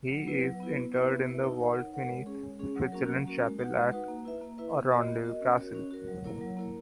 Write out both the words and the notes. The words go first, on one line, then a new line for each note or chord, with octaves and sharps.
He is interred in the vault beneath the Fitzalan Chapel at Arundel Castle.
F#3
B3 E4 B4
F#3
B3 E4 B4
B3
E4 B4 E5
B3
E4 B4 E5
D#4
A#4 C#5 F#5
D#4
A#4 C#5 F#5
G#3
C#4 G#4 C#5
G#3
C#4 G#4 C#5
F#3
A#3 C#4 F#4 A#4
F#3
A#3 C#4 F#4 A#4
G#3
D#4 F#4 B4 F#5
G#3
D#4 F#4 B4 F#5
A#3
E4 B4 E5
A#3
E4 B4 E5
B3
F#4 A#4 D#5
B3
F#4 A#4 D#5
C#4
F#4 A#4 C#5
C#4
F#4 A#4 C#5
F#3
A#3 E4 A#4 C#5
F#3
A#3 E4 A#4 C#5